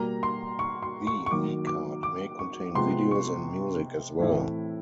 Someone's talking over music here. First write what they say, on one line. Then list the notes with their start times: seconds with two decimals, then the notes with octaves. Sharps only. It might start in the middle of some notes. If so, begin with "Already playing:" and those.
The E-card may contain videos and music as well.
Already playing: B2 G3 A#3 A#5
0.23 C6
0.59 C#6
0.83 C6
1.07 C#6
1.26 C#6
1.31 D#3 F#3 A#3 D6
1.67 D6
2.03 D6
2.39 C#6
2.75 C3 F3 G#3 B3 C6
3.11 C#6
4.19 A2 E3 A3 C4 E4